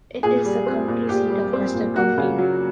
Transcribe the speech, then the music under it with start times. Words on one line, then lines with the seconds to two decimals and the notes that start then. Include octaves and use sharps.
It is the county seat of Custer County.
0.23 A#2 G#4
0.45 G3
0.66 C4
0.88 A#2
1.09 A#2 G4
1.31 G3
1.53 C4
1.74 A#2
1.96 A#3 F#4
2.18 C#3
2.38 F#3